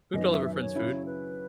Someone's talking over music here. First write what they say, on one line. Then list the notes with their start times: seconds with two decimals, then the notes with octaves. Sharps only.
Cooked all of her friend's food.
0.14 F#2 D#3 F#3 B3 D#5
0.30 E5
0.45 E5
0.54 B4
0.61 C#5
0.75 C#3 F#3 C#4 E4
1.06 B4